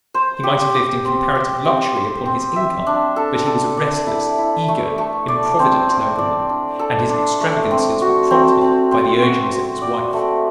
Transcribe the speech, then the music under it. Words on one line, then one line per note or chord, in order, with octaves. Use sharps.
He might have lived in comparative luxury upon his income; but he was a restless, eager, improvident nobleman, and his extravagances were prompted by the urgings of his wife.
C5
G4
G4
C4
G4
C4
C5
C4
E5
D4
A4
A4
D5
E4
E4
A3
A3
D5
C4
C4
D5
D4
A4
D4
A3
C4
F#4
C4
C4
C4
F#4
F#4
D5
A3